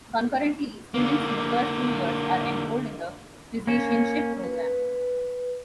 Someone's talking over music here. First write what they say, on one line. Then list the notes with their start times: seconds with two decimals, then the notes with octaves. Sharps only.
Concurrently, students in the first two years are enrolled in the Physicianship Program.
0.94 D3 A#3
3.67 A#3 C#4
4.44 B4